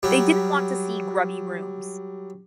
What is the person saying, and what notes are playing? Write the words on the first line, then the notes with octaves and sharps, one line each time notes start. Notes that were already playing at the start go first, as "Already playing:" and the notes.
They didn't want to see grubby rooms.
F#3 G3